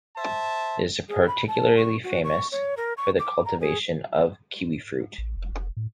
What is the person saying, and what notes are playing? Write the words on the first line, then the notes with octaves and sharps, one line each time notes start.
It is particularly famous for the cultivation of kiwifruit.
C5 E5 A5
G#4
B5
A5
C#6
F#4
C#6
C#5
A#4
C#6
D6
A#5
G#4
A1
F1
F1
A2